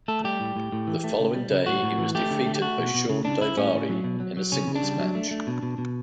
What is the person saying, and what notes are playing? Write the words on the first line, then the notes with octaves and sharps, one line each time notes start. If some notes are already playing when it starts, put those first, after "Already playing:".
The following day he was defeated by Shawn Daivari in a singles match.
A3 A4
G3 G4
A2
A2
A2
E3
A3
C#3
G3
C#3
A2 F#4
A2
E3
A3 G4
D3
A3
G4
A3 F#4
B2
B2
C#3
C#3 D4
C#3 E4
A2 C#4
A2
F#3
B2
F#3
F#3
C#3 C#4
C#3
D4
G3
F#3
A3
A3
B2
B2
B2